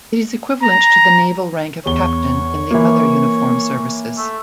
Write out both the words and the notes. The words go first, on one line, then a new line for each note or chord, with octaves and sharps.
It is equivalent to the naval rank of captain in the other uniformed services.
A#5
E2 C#5 G7
E3 A#3
A3